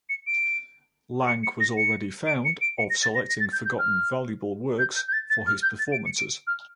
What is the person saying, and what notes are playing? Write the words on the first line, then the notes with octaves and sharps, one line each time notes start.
Lang was already found of selecting forgotten valuable works for his performances.
C#7
D7
C#7
C#7
A#6
C#7
D7
C#7
D7
C#7
A#6
A6
A#6
A#6
A6
G6
G6
F6
G6
G6
G6
A6
A6
F6
G6
A6
D7
C#7
D7
F6